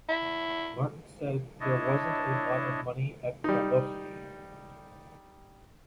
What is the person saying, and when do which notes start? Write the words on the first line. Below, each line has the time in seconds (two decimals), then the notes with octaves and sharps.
Martin said: There wasn't a lot of money at Parlophone.
0.09 E4
1.60 D4 E4 C#5 D#5 A5
3.44 G3 D#4